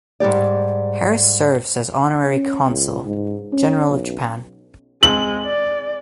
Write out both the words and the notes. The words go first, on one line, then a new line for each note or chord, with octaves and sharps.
Harris serves as Honorary Consul General of Japan.
G#2 G3 G4 D5
C#4
C#2
G#2
C#4
B1
G#3 C4 F#7
D5